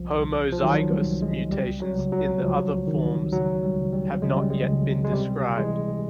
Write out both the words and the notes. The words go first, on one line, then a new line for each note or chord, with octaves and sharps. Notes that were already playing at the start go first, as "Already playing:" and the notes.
Homozygous mutations in the other forms have not yet been described.
Already playing: C2 F3
C2
F3
D#3 F#3
G3
C2
G#3
C#2 G3
F#3
C#2
F#3
C#2 F3
D#3
C#2 F#3
G3
C#2
G3
C#3 G#3
G3
G#3
C#2
G#3
C3 G3
E3 G#3